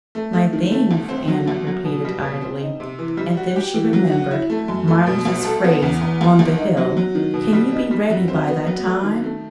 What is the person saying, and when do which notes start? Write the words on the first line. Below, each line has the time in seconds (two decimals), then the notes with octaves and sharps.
'My things!' Anna repeated idly; and then she remembered Mynors' phrase, on the hill, 'Can you be ready by that time?'
0.15 A3
0.33 A3
0.53 D#3
0.72 A3
0.91 C2
1.09 C4
1.28 F#3
1.48 C2
1.67 F#3
1.85 B2
2.05 G3
2.22 B2
2.42 C4
2.61 D#4
2.80 C3
2.99 E3
3.17 G3
3.37 F#4
3.56 G4
3.74 E3
3.93 F#3
4.12 F#4
4.31 E4
4.50 A3
4.68 F#2
4.88 A3
5.07 B2
5.25 C2
5.44 A4
5.64 B3
5.82 E2
6.01 E2
6.21 C2
6.39 C2
6.58 D#4
6.77 F#3
6.97 F#3
7.15 D#3
7.34 B2
7.53 G3
7.72 D#4
7.91 G3
8.10 F#3
8.28 C4
8.48 B3
8.67 F#3
8.85 A3
9.04 D#3
9.24 A3